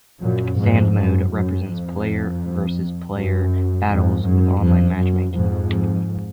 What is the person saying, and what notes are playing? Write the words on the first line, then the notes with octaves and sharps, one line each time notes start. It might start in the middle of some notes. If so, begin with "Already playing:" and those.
Sand mode represents player versus player battles with online matchmaking.
F#2 A#2
F2 G#2
F#2
F#2
F2
F#2
F2 G#2
F#2
F2
F#2
F2 G#2